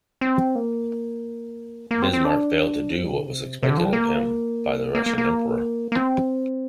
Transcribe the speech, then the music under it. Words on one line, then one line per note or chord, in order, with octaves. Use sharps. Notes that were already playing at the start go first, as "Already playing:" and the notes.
Bismarck failed to do what was expected of him by the Russian emperor.
C4
A#3
A#3
C4
C4
D4
C4
G3
C3
D3
C3
C3
D3
F3
G3
A#3
A#3
A#3
A#3
A#3
C4